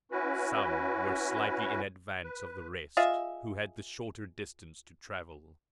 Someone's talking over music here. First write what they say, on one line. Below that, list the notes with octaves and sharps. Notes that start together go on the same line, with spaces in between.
Some were slightly in advance of the rest, who had the shorter distance to travel.
C#4 E4 F#4 B4
B4
F4 G#4 D#5 E5